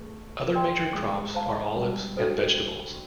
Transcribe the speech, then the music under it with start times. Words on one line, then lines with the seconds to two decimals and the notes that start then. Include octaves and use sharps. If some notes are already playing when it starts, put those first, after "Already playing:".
Other major crops are olives and vegetables.
Already playing: A3 G#4 B4
0.54 A#4 D5 G5 C6
0.94 G#3
1.35 C5 F5 A5
1.76 G3
2.17 D4 F#4 A4 C5